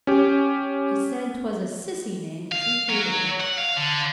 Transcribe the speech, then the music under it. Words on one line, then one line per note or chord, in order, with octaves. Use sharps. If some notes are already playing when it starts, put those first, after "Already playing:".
He said 'twas a sissy name, and he hated it.
C#4 G4
F5
F#3
F#5
F5
D3